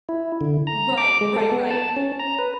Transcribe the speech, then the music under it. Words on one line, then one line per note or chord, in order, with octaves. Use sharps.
Right, right, right.
E4
D3
A#5
D6
G#3
A4
B3
A5
C#4
A#5
B4